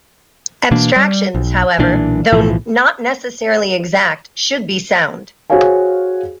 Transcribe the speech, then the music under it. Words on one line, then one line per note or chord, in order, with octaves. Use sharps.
Abstractions, however, though not necessarily exact, should be sound.
B2 E3 A#3 D4
G3
B1
B1 A#2 E3 D4
B1 A2 E3 F3
F#4 G#4 C5 C#5 F5 G#5